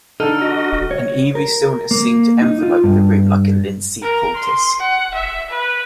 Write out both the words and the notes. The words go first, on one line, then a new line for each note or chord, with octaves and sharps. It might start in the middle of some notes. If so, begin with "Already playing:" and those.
An eerie stillness seemed to envelop the room like a linseed poultice.
D3 D#4 A4 F6
F#4 D#5
C#5
A#4
A#3
D#4
F4
G2
A#4
C6
F#5
E5
B4